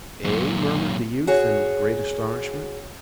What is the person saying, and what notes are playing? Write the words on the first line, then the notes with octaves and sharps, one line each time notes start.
"Eh?" murmured the youth in great astonishment.
F#2 A#2
F#4 G#4 C#5